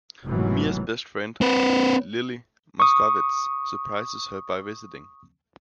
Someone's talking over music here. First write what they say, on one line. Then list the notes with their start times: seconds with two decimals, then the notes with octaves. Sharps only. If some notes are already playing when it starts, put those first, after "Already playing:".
Mia's best friend, Lilly Moscovitz, surprises her by visiting.
0.23 F1 G#2 B2 D#3 E3 F#3
1.41 C4 B4
2.80 C#6 D#6